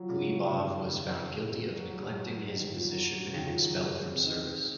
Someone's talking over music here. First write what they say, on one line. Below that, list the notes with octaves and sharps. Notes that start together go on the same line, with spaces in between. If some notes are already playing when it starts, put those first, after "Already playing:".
Glebov was found guilty of "neglecting his position" and expelled from service.
Already playing: F3 F#3
C#3
C#3
D#3
A#3
G#3
F#3
F#3
D#3
F3
F#3
F#3
C#3
D#3
F3
F#3
G#3
G#3
C4
D#4